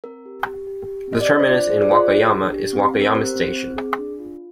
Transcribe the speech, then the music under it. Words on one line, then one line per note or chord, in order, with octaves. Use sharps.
The terminus in Wakayama is Wakayama Station.
C4 A#4
G4
G4
G4
G4
C4 D#5
D5
D4 C5
C5
F4 D5
G#4 C5
D5
F4 C5
G#4
D4
G4
C4
C4
A#4
G4 C5
C4
C4
G#4
D4
F4